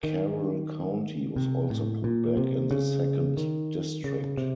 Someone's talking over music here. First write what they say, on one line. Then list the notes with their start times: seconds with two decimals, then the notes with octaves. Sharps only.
Carroll County was also put back in the second district.
0.04 D#3
1.36 C3
1.70 A2
2.04 A#2
2.37 C3
2.71 C#3
3.37 D#3
4.04 C#3
4.37 C3